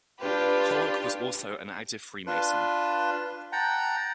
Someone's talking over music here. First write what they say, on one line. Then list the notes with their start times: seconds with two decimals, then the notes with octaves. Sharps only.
Pollock was also an active freemason.
0.19 D4 F4 G4 B4
2.27 D4 F4 B4
3.52 F#5 G5 A5 A#5